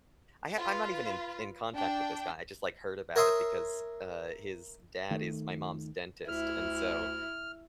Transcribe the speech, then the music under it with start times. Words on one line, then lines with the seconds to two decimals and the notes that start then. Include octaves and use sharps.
I h I'm not even in t in contact with this guy. I just, like, heard about it because, uh, his dad is my mom's dentist, and so,
0.60 F4 B4
1.75 D4 G5
3.16 A#4 C#5 E5 C6 D#6
5.11 D#3 A3
6.28 D2 E4 F6